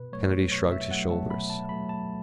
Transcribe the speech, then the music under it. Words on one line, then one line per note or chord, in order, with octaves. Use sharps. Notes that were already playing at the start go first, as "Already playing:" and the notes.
Kennedy shrugged his shoulders.
Already playing: B2 B4
F#3 A3 C#5
B2 C#5
E5
F#3 A3 F#5
A5
B2 B5
A5
F#3 A3 B5
A5